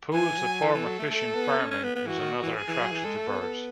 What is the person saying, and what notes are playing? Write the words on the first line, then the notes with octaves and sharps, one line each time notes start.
Pools of former fishing farming is another attraction to birds.
E3 G#5
F#3
E3 A4
E3
F#3
A3
A3 A4
B3
C#4
C#4
B3
B3
E3 F#4
D#3
E3
G#4
E3
F#3
E3
G#3 A4
A3
B3
B3